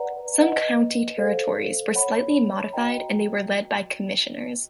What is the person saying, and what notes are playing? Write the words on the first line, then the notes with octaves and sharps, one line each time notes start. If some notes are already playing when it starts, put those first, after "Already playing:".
Some county territories were slightly modified and they were led by "commissioners".
Already playing: B4 D5 F#5 A#5
B4 D#5 F#5
A4 C5 F5
C#5 F#5 B5
F#4 B4 D#5 G5 A#5